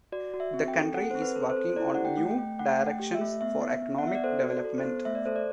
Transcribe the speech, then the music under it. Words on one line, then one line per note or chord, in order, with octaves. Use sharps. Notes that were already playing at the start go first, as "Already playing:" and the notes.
The county is working on new directions for economic development.
F#4 D5
F#4
E5
C4
G5
A4
A4 F#5
C4 C5
B4
A4
C5
A4
C5
E4 D5
G4 F#5
G5
A3
G5
A3
A3 F#5
A3
G5
G4
E5
A3
B3 E5
B3
B3
F#5
B3 E5
D5
A4 C5
F#4
D5
A4
C5
B3
A3 E5
D5
A4 C5
D5